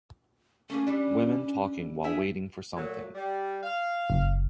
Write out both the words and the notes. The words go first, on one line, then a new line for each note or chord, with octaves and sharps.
Women talking while waiting for something.
A3 A#3 C#4 G#4
E3 G3 D4
D4 E4 G#4 E5
A#2 F#3 A3
G3
F5
F#1